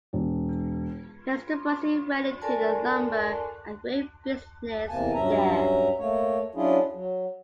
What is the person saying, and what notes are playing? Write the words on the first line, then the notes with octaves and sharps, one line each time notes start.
Mr Bussey went into the lumber and grain business there.
E1
A4 A#4 D5 G#5 A5
E2 C3 A#3 G#5 A5
G2 F#3 C#4 E5 A#5
A3 A#3 C#5
F#3 C#4 D4 E4 F4 G#4
F#3